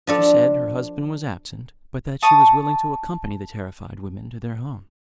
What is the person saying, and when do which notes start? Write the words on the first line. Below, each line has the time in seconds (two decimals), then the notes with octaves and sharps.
She said her husband was absent, but that she was willing to accompany the terrified women to their home.
0.07 F3 D4 A4
2.22 A5 C#6 D#6